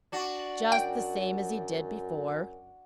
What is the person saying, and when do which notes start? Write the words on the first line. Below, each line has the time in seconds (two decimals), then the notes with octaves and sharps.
"Just the same as he did before?"
0.12 D4 F#4
0.72 F#2 G5